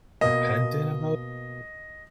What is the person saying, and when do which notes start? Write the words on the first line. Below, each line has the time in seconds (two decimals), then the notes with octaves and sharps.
repentant about it
0.21 B2 A#3 D#5